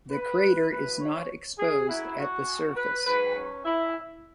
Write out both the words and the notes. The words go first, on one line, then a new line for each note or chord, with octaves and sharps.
The crater is not exposed at the surface.
B4
F#2 E3 B4
C#5
G#4
F#2 F#3 E4
F#4
B4
G#2 F#3 B4
C#4
E4